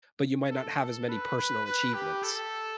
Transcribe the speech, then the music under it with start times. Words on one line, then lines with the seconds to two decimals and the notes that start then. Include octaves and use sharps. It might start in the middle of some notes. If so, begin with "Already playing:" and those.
but you might not have as many personal achievements,
0.50 A4
0.79 A4
1.09 B4
1.37 B4
1.65 B4
1.94 G4
2.23 A4